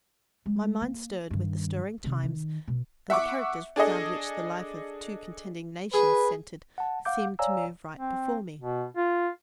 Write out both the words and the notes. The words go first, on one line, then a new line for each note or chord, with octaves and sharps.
My mind stirred with the stirring times, and the characters round which the life of two contending nations centred seemed to move right before me.
G#3
A#3
G2 D#3
C3 D#3
D#3
B2
E5 F#5 C#6 D6
D4 G#4 A4 D#5
G#4 B4
F#5 A5
F5 F#5 D6 G6
C#5 D5 F5 G#5 A#5 E6
C4
B2
F4